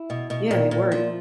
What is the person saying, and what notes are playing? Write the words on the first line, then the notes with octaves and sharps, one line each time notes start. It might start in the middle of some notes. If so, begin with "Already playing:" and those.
yeah, it worked,
Already playing: E4
B2
B2
A#2
A#2
F3